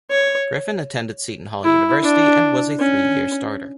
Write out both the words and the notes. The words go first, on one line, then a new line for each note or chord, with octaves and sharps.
Griffin attended Seton Hall University and was a three-year starter.
C#5
E4
D4
C#4